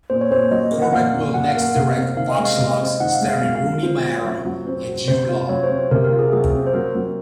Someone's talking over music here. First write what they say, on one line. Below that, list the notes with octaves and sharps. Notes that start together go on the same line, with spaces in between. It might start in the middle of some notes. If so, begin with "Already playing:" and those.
Corbet will next direct "Vox Lux" starring Rooney Mara and Jude Law.
A#2 C5
C#5
A#2 C5
F#3 D#5
A#3
F#5
A#2 F5
A#2
F#3 F#5
F5
A#3
F#5
C3 F5
C4
D#3 F5
D#5
G#3
F5
C3 F5
D#5
C4
D#3 F#5
F5
G#3
F5
F#3 F5
F5
F#3
C4 F4
F#4
F#3
F#3
C4
F#4
C3 C5
F4
F#3 C#5
C5
C4
C5
C3 A#4
A#4
F4
G#4
F#3 G#4
C4
C5
F#3 A#4
F#3